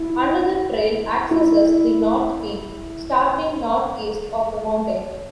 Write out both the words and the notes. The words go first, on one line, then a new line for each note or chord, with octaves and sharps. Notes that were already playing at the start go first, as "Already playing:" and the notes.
Another trail accesses the North peak, starting Northeast of the mountain.
Already playing: E4
E4